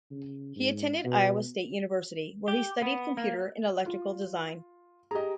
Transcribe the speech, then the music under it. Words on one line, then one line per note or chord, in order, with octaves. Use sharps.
He attended Iowa State University where he studied computer and electrical design.
C#3
G#2
B2
G4
B3
A#3
F4
G4 G#4 D#5 A#5